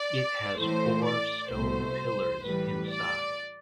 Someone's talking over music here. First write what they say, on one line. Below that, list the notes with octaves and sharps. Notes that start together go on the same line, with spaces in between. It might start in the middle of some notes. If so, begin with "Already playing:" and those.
It has four stone pillars inside.
Already playing: D5
A2 E3 A3 C5
D5
C2 B2 A3 C5
A2 E3 G3 B4
D5